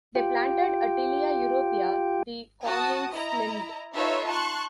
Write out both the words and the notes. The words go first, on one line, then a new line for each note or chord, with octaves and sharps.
They planted a Tilia europea, the "Koningslinde".
F4 G4 G5
F#4 A5 D#6
E4 D#5 A#5
D#4 F4 A4 B4 C#5 E5
A5 C6 C#6 F#6